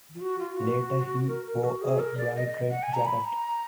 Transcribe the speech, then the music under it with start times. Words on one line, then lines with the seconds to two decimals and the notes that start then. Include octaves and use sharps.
Later, he wore a bright red jacket.
0.15 F4
0.21 F#4
0.39 F4
0.57 F#4
1.28 A#4
1.46 A#4
1.64 F#4
1.82 G#4
1.99 A#4
2.18 D5
2.35 D#5
2.47 D#5
2.71 F#5
2.83 G#5
2.94 A#5
3.07 B5
3.24 A#5